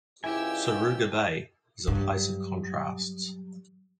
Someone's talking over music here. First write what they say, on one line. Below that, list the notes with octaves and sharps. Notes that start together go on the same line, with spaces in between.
Suruga Bay is a place of contrasts.
C#2 G#2 E4 G4 G#5 E6
G2 F#3